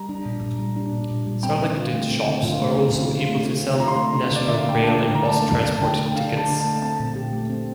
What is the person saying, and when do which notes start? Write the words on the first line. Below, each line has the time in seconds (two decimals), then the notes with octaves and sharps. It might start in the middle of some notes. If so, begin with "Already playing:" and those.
Selected shops are also able to sell national rail and bus transport tickets.
Already playing: G3 A#5
0.09 D4
0.26 A#2
0.43 A#2
0.59 G3
0.76 D4
0.93 A#2
1.11 A#2
1.27 G3
1.43 C4 G5
1.61 D3
1.77 F4
1.94 A3
2.11 C4
2.28 D3
2.44 F4
2.61 A3
2.78 C4
2.95 D3
3.13 F4
3.29 A3
3.45 C4
3.63 D3
3.80 F4 A#5
3.88 C6
3.96 A3 A#5
4.13 D4
4.30 D3
4.36 D5
4.47 D3 E5
4.59 F5
4.64 A3
4.69 G5
4.81 D4 A5
4.98 D3 G5
5.14 D3 A#5
5.25 A5
5.31 A3
5.48 D4 A5
5.64 D3
5.75 A5
5.81 D3 G5
5.99 A3
6.06 G5
6.15 D4 F5
6.33 D3 A5
6.49 D3
6.60 A5
6.65 A3
6.82 C4 A5
7.00 A#2
7.16 G4
7.33 A3
7.50 C4